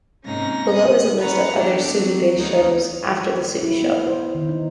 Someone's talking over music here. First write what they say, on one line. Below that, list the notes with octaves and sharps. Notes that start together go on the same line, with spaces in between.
Below is a list of other Sooty-based shows, after The Sooty Show.
G#2 C3 A#3 C#4 D#4 A#6
D#6 F#6
F#3 G3 C#4 B4 F#5 A#5
B3 D4 G4 A4
F#3 C4
D2 B3 D#4 A#4 C#5
E4
B3
C5
D#3
D#4